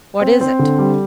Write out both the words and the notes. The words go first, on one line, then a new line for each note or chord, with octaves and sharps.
"What is it?"
C4
C4
D3
G3